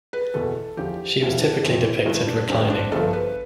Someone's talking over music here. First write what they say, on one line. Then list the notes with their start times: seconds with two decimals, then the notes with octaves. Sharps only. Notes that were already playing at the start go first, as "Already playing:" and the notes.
She was typically depicted reclining.
0.13 B4
0.34 E2 B2 A4
0.77 E2 D3 F3 G4
1.20 E1 D2 D3 F3 E4
1.42 D4
1.63 G1 F2 E3 C4
1.85 E4
2.06 G1 G2 E3
2.27 D4
2.48 A1 G2 D3 C4
2.70 D4
2.92 G1 G2 F3 A4
3.13 B4